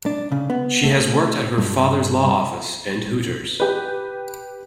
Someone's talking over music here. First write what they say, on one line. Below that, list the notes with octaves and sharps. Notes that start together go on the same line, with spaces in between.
She has worked at her father's law office and Hooters.
D4
C#3
B3
A3
G2
G4 B4